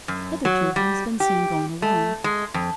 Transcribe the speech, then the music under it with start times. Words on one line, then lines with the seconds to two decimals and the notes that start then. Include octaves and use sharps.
Hitherto he has been seen going alone.
0.08 F#2
0.45 F#3
0.76 G3
1.20 G4
1.82 A3
2.24 G#3
2.54 F2